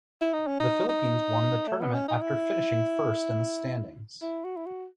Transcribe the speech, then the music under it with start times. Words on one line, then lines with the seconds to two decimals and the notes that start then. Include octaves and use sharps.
The Philippines won the tournament after finishing first in the standings.
0.21 E4
0.34 D#4
0.47 C#4
0.60 D#4
0.89 D#4
1.67 A3
1.81 B3
1.94 C#4
2.08 D#4
2.21 E4
4.22 E4
4.44 F#4
4.56 E4
4.66 F#4